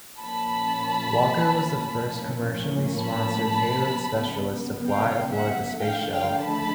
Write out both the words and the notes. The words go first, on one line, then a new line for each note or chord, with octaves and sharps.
Walker was the first commercially sponsored payload specialist to fly aboard the Space Shuttle.
A#2 F3 A#3 C#4 A5 B5
A2 F3 A#3 C#4
A5 B5
C#3 F#3 B3
F5 G5
E5 F#5
D3 F3 A3 F5 G5
F5 G5
A5 B5